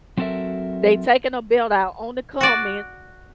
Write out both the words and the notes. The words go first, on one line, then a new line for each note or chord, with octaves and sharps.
They taking a belt out on the comment,
F#3 C4 F#4 A4 A#4 E5
F#4 D5